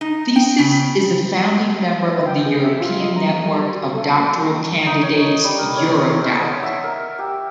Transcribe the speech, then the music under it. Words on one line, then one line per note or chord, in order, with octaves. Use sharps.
Thesis is a founding member of the European network of doctoral candidates Eurodoc.
D#4
G5
C#3
B4
G5
G#4
E5
F4
D#5
A#5
G3
F#4
A4
A#3
D#4
C#5
D#5
G3
A#4
C#5
C#5
F#5
E5
A#4
G4